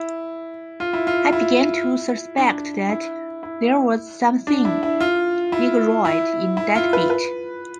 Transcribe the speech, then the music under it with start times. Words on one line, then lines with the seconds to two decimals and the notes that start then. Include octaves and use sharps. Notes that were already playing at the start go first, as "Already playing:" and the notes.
I began to suspect that there was something Negroid in that beat.
Already playing: E4
0.80 F4
0.93 E4
1.07 F4
1.32 E4
2.37 D4
2.89 E4
3.43 E4
4.47 D4
4.65 E4
4.83 E4
5.01 F4
5.52 E4
6.05 E4
6.57 E4
6.75 F4
6.93 B4
7.10 B4